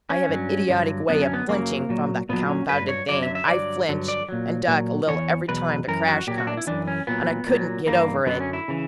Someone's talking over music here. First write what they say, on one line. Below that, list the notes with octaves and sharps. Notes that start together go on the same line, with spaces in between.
I have an idiotic way of flinching from the confounded thing--I flinch and duck a little every time the crash comes, and I couldn't get over it.
C#4
G2 F#3
G2 D3 F#3
F#2 D3 F#3 B3
C#4
B3
F#2 C#3 F#3 A#3
A#2 F#3
A#2 F#3 B3
C#4
G2 F#3 B4
C#5
F#2 D3 F#3 D5
E5
E5
G2 D3 F#3 D5
G2 D3 F#3
D5
A#2 F#3
A#2 F#3
E2 C#3 E3 C#5
E2 B2 F#3 B4
F#2 E3 A#4
F#4
A#2 F#3 G4
F#4
D4
E4
F#2 E3 D4
C#4
A#2 F#3 B3
A#2 F#3
G2 E3 A#3
F#2 D3 F#3 B3
C#4
E4
C#3 E3